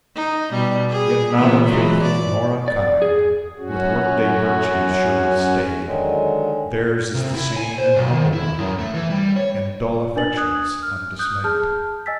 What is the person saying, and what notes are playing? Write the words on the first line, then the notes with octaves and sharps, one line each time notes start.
Yet not unfaithful nor unkind, with work-day virtues surely staid, Theirs is the sane and humble mind, And dull affections undismayed.
D#4
B2 G3
G#4
A#2 E3 B3
E3 F#3 G#3
D5
D5
G#4
F#2 C#4 F#4
D3 D#3 F#3 G#3
C3
E4
G#5
C5
B1
D#3
E4
F#2
A3
E3
G3
C#5
D4 A#4 G#5 A6 F#7
D#6 F#6 G#6
F6
D#6 F#6 G6
G#4 A5 F6 G6
D#5 G#5 E6 A6 B6